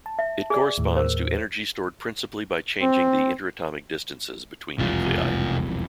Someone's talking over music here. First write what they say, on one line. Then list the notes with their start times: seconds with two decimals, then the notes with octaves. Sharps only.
It corresponds to energy stored principally by changing the inter-atomic distances between nuclei.
0.06 A5
0.19 E5
0.50 G#4 D5 G#5
0.78 D#2 A2
0.96 A#4 C5
2.82 C4
4.79 E1 C2 F2 C3 F4